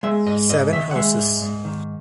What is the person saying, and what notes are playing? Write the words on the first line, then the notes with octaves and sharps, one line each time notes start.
Seven houses.
G#3 E5
G#2 D#5
G#2 D#5
D#3 E5
F#5
G#3 E5
G#2
G#2
D#3